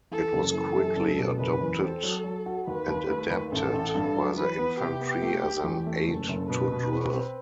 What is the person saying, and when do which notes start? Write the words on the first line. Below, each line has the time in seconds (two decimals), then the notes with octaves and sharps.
It was quickly adopted and adapted by the Infantry as an aid to drill.
0.11 E3 A4
0.33 F#1
0.54 E3 A4
0.75 F#2
0.96 F#1
1.18 B2
1.39 F#1 B4
1.61 E2
1.82 C4 A4
2.03 F#3
2.24 F#3
2.46 F#4
2.67 D#2 B4
2.88 D#2
3.10 A3
3.31 D#2
3.52 A1 A4
3.74 A1
3.95 G2
4.16 F#3
4.37 E3 B4
4.58 B3
4.80 C3 G4
5.01 B3
5.22 A3
5.43 A3
5.64 E2
5.86 A3
6.07 F#1 A4
6.29 F#1
6.50 B2 B4
6.71 B2
6.92 C4
7.14 C4